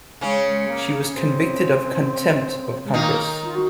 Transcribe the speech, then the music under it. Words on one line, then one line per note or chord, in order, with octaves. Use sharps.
She was convicted of contempt of Congress.
C#3 G#3 C#4
G#3
A#3
C4
G#3
D#3 A#3 D#4
F4
F#4